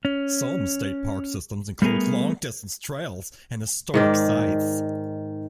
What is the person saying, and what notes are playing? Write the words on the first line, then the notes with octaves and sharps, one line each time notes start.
Some state park systems include long-distance trails and historic sites.
C#4
G3 A3 B3 G#4 A#4
G#2 D#3 D5